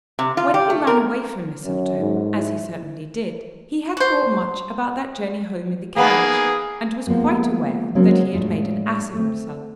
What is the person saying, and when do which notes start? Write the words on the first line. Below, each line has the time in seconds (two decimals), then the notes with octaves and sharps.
When he ran away from Mistletoe, as he certainly did, he had thought much about that journey home in the carriage, and was quite aware that he had made an ass of himself.
0.19 C3
0.37 F4
0.54 G4
0.70 A3
0.87 A#4
1.64 F#2 C#4
1.99 G#2
2.35 E4
3.97 F#4 C5
5.96 A#3 B3 D#4 G#4
7.07 F3 G#3 A#3 B3
7.95 C#3 F#3 G#3 A#3 C4 C#4
8.33 A2 G#3 D4 F4
9.14 A3 C4